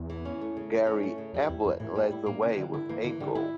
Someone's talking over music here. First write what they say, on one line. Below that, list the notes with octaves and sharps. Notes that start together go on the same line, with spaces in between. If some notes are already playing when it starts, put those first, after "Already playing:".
Gary Ablett led the way with eight goals.
Already playing: E2
E3
C#4
A3
C#3
E3
C#4
A3
C#3
F2 G3
E2 E4
F2 A#3
A2 E3
A#2 G3
A2 E4
A2 A#3
C#3 E3
D3 G3
D3 E4
E3 A#3
D3 E3
D3 G3
E4